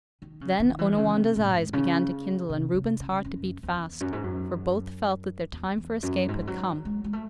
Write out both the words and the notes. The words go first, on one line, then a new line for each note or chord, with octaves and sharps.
Then Onawandah's eyes began to kindle, and Reuben's heart to beat fast, for both felt that their time for escape had come.
D#3
C#3
D#3
E3
D#3
C#3
C3
A2
G#2
C#3
C3
C3
C#3
F#2
E2
F#2
G#2
F#2
E2
E2
F#2
G#2
E3
F#3
G#3
G#3
A3